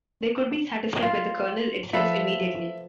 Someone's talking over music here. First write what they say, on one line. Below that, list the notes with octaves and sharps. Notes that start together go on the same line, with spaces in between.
They could be satisfied by the kernel itself immediately.
F4
F3 A4 B4 E5